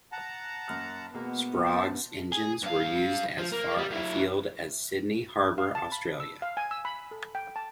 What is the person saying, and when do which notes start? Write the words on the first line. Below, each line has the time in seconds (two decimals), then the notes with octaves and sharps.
Sprague's engines were used as far afield as Sydney Harbour, Australia.
0.12 F#5 A5 A#5
0.68 F#2 A#3 F6
1.14 B2 G#3 A#3 B3
1.65 C5 A5
2.32 G#4
2.63 G2 F5
3.38 F3
3.52 A#3
3.77 G3
3.91 F#3 E4
5.58 F5
5.75 A5
5.92 B5
6.20 E6
6.42 F5
6.57 G#5
6.71 E6
6.85 B5
7.11 A4
7.35 G5
7.56 A5